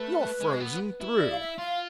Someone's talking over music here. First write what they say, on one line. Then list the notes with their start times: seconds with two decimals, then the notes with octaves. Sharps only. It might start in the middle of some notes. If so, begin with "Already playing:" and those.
You're frozen through!
Already playing: A3 B4
0.40 G#3
0.60 B3
1.00 E4
1.20 D5
1.31 F5
1.39 E5
1.58 F4 F5